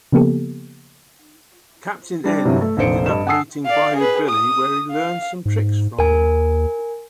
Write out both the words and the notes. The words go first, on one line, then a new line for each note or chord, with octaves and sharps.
Captain N ended up meeting Bayou Billy where he learned some tricks from him.
C#3 F3 A#3 B3 G4 A4
G3 D4 G4
G2 C3 E3 F#3
A3
F1 A#1 C5 C#7 D7
G2 D#5 E7
F#5 G#5 A5 D#6 E6 C7
D5 F5
G#4 B4
D#6
F5
G#2
D#2 A#4 G#5